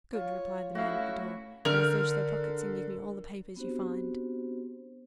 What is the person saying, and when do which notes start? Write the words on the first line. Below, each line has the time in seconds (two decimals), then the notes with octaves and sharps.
"Good!" replied the man at the door; "now search their pockets and give me all the papers you find."
0.13 F4 C#5
0.75 A3 C#4 E4 F#4 F5
1.65 D3 A#4 F6 G6
3.56 B3 C4 D4 F#4 G4 C5